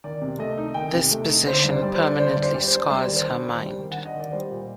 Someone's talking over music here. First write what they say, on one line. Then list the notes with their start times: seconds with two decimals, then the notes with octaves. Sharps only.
This possession permanently scars her mind.
0.04 D#3 D5
0.22 C3
0.39 A3 D#5
0.58 D#4
0.74 D#3 G5
0.93 C3
1.11 A3
1.28 D#4
1.47 D3 C5
1.58 D5
1.64 G2
1.70 C5
1.82 G3 D5
1.95 D4 C5
2.07 D5
2.19 D3 C5
2.31 D5
2.36 G2
2.43 C5
2.54 G3 D5
2.68 D4 C5
2.90 G3 C5
3.03 D#3 D5
3.16 C5
3.25 D4
3.43 D#3
3.60 G3
3.79 D#3
3.91 F#5
3.97 D4
4.05 D#5
4.15 D#3 D5
4.32 G3 C5
4.50 A#2